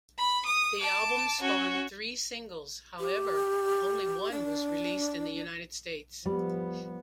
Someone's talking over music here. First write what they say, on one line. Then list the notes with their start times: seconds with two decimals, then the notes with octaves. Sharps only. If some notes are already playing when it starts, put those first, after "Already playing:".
The album spawned three singles, however only one was released in the United States.
0.17 B5
0.46 D#6
0.80 A5 D6
1.41 C#4 F#4
2.99 G4
4.32 D4
6.26 F3 G3 B3